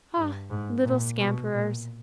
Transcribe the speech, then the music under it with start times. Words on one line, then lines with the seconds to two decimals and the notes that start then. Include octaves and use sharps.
Ah, little scamperers!
0.17 G2
0.50 G#2
0.84 A#2
1.18 B2
1.52 A#2